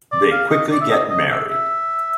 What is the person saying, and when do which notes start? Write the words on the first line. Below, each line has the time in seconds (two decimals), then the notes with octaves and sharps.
They quickly get married.
0.12 D5
0.32 F5
0.51 D#5
0.71 D5
0.81 E5
0.90 D#5
1.10 D#5
1.30 E5
1.50 E5